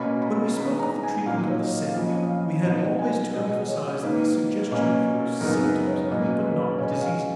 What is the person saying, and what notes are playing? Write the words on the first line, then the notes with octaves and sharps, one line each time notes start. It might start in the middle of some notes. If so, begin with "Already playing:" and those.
When we spoke of the treatment of the sick, we had always to emphasize that the suggestion cures symptoms but not diseases.
Already playing: B2 A#3 C#4 B5
B5
D#3 G#3 B3 D#4 B5
A#5
G#5
A#2 F#3 A#3 D#4 F5
C#5
D#5
F5
F2 F3 A#3 C#4 D#5
D#5
F5
B2 F#3 B3 D#4 F#5
G#5
B2 G#3 B3 D#5
C#5
G#2 D#3 A#3 B4
B2 A#3 C#4
F#2 C#3 G#3 B3 D#4 A#4
B4
C#5
B2 F#3 A#3 C#4 B4
B4
B2 G#3 C#4 C#5
F5